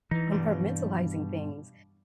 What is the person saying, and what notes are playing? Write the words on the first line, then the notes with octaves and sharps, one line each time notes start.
compartmentalizing things,
E3 D#4
G2 B2 G3